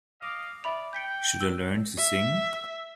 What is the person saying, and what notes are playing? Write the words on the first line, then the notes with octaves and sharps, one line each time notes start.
Should I learn to sing?
D#5 F5 D6
D5 E5 B5 F7
G5 G6 B6 C#7
E6
E5